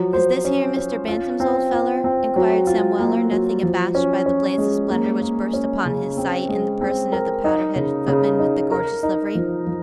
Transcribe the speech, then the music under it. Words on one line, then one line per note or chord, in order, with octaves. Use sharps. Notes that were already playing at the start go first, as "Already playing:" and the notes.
'Is this here Mr. Bantam's, old feller?' inquired Sam Weller, nothing abashed by the blaze of splendour which burst upon his sight in the person of the powdered-headed footman with the gorgeous livery.
Already playing: F3 F#3
C5
C#4
C#4
F4
C4
F4
C4
F#3
F4
A#3
F#3
F3
C#4
C#4
G#3
A#3
A#3
C#4
C#3
C4
G#3
C4
A#4
D#4
C#3
C#3
D#4
A#4
D#4
F3
F3